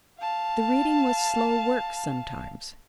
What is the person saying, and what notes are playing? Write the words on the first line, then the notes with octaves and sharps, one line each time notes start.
The reading was slow work sometimes.
F5 A5